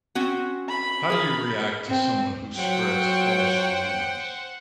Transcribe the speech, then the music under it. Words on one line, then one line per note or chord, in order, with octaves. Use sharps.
How do you react to someone who spreads false rumors?
C4 C#4 F#4
B5
G#4 A#4
C4
F#3 F4 C5 C#5 F#5 G5